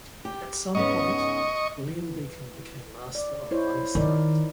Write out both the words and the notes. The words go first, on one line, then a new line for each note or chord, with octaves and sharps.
At some point William Beacon became master of "Vansittart".
G4
G#2 C#3 B3 D#5 C#6
E3
A#2
D5
E4 C5 C#5
D#3 D#4 A#4 D5